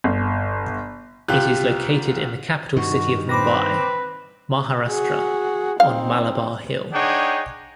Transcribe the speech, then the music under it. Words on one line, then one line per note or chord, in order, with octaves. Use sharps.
It is located in the capital city of Mumbai, Maharashtra on Malabar Hill.
G1
C2 F4 G4 F#6
G2 D#3 F#4
C4 B4 B5 D6 A#6
F#4 G#4
C4 D#4 F5
D4 D#4 G#4 C#5 F#5 G5